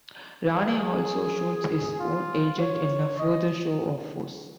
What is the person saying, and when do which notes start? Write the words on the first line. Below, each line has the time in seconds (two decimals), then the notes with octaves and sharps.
Rane also shoots his own agent in a further show of force.
0.51 G#4
2.00 F4
2.59 C#5
3.19 D#5